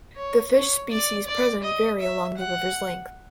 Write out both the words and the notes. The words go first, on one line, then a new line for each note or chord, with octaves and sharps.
The fish species present vary along the river's length.
C#5
C#5
D5
D5
D#5
E5
F#5